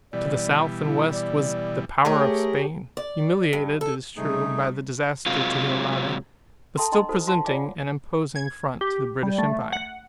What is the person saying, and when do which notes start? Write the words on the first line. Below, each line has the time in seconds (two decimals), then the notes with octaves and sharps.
To the south and west was the power of Spain, humiliated, it is true, by the disaster to the Armada, but still presenting an imposing front to the British empire.
0.13 B2 E3 G3 D5
0.86 E4
1.12 D5
2.05 A3 G4 G#4 A#4 C#5
2.97 D5
3.53 G2
3.81 A4
4.17 C3 G3 A3 D#4 G#4
5.26 C3 F#3 G#3 F4
6.77 A4 E5 G5 A5 A#5 C6
6.92 D4 D#5 G5 A#5 C6
7.09 D#4 F#4 A4 C5
7.27 F4 F5 F#5 A5 C6
7.45 F4 C#5 D5 F5 G#5 D6
7.57 F#5
8.36 G#6
8.81 G4
9.23 G3
9.38 A3
9.73 F#5